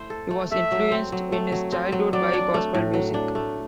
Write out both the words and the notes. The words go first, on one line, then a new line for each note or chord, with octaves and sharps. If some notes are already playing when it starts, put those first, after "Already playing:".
He was influenced in his childhood by gospel music.
Already playing: A3 E4 C5
A4
A3
A3 E5
F#3
C4
F#3
A3
F#3
C4
F#3
F#3 D5
D4
A3
A2
F#3
D4
A3